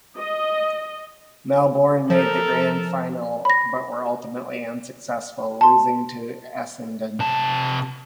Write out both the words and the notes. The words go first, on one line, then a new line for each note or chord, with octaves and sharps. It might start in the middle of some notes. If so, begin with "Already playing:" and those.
Melbourne made the Grand Final, but were ultimately unsuccessful, losing to Essendon.
D#5
F3 A4 A#4
B5 A#6
A5 C6
C3 A5